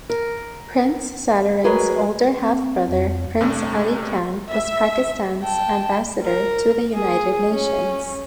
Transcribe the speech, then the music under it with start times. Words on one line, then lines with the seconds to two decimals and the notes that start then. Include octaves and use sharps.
Prince Sadruddin's older half-brother, Prince Aly Khan, was Pakistan's Ambassador to the United Nations.
0.10 A#4
1.64 F#3 G#3 G#4 A#4 B4
2.40 C4
2.88 F2
3.41 G2 C3 A3 C#4
4.50 E5
5.42 G5 A5
6.23 A#4
6.95 G#4
7.50 C#4